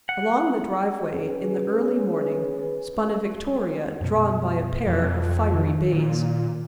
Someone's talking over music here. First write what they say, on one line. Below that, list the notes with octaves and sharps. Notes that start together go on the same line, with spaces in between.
Along the driveway in the early morning spun a victoria drawn by a pair of fiery bays.
F#5
C#4 G#4 B4
F#2 B2
F2
D#3
A#2